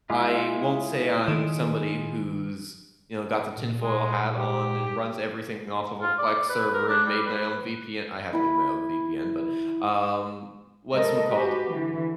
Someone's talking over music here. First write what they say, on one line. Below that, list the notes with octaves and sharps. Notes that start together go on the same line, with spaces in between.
I won't say I'm somebody who's, you know, got the tinfoil hat on and runs everything off of a Plex server and made my own VPN. I have made my own VPN, but, um, what's mccalled?
G#3 E4 F4
D#3
A#2
G#3
G4
F4
D5
B4
A#4
D4
G3
B4
E4 B5
G#3 A4 A#4 D#5
F#4 G4 B4
D3 E3